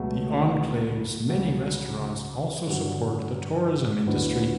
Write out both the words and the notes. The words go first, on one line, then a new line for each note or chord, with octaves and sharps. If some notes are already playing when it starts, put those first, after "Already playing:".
The enclave's many restaurants also support the tourism industry.
Already playing: C#2 B2 F#3 A3
C#2 C#3 F#3
G2 D3 F#3
D2 D3 F#3 B3 E4